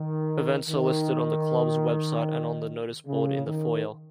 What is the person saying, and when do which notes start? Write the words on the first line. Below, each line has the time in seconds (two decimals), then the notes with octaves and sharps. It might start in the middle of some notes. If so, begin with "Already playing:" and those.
Events are listed on the club's website and on the noticeboard in the foyer.
Already playing: D#3
0.69 D#3
3.07 C#3
3.46 D#3